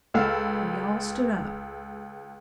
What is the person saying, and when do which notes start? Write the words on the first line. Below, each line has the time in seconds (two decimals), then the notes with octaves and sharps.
We all stood up.
0.14 C#2 A4 F5